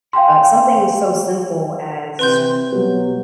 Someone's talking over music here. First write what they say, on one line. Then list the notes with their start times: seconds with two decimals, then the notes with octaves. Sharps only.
Uh, something so simple as
0.13 F5 G5 G#5 C6
2.19 C3 E3 C4 B4 C6 G6
2.72 B2 F#3 G3 B3